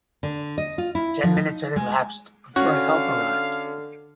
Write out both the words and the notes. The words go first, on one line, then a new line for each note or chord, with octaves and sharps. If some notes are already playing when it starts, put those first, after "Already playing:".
Ten minutes had elapsed before help arrived.
D3
D#5
F4
E4
F3
D#4
G#3
D3 C#4 F#4 F5